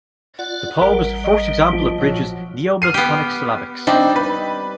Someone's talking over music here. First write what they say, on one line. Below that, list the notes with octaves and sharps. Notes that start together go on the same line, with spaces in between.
The poem is the first example of Bridges' Neo-Miltonic Syllabics.
F4 D5 F#5
A1 G3 A#4
D#5
F3
A#2 F#3
F6 C7 D#7
B3 G4
G3 C4 D4 D#4
B4